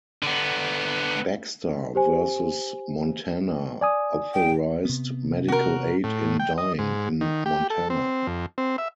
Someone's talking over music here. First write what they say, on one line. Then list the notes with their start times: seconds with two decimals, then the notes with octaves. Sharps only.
Baxter versus Montana authorized medical aid in dying in Montana.
0.23 D3 B3
1.95 G4 C5 G#5
3.81 D5 G#5 D#6
4.34 G5
4.85 C3 B3
5.48 F#4 A#4
6.04 A2
6.40 G5
6.58 D#5
6.79 G#2
7.21 D#3
7.46 G4
7.70 A4
7.90 C4
8.27 F2
8.58 C4
8.78 E5